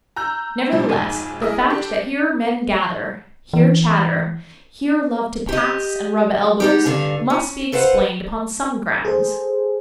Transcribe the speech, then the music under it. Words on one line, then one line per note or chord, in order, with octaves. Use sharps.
Nevertheless, the fact that here men gather, here chatter, here love to pass and rub elbows, must be explained upon some grounds.
A#5 E6 F#6 G6
A#2 F3 G3 C4
B1 F2 G#2 G#5 D#7
E4 G#4 A#4 D#5 D#6
D4 G4 A4
E3
G4 D#5
B3 D#4 G4
G2 D3 F5 G#5
C#4
A4 B4 C5 F5 F#5
G#4 A4 C5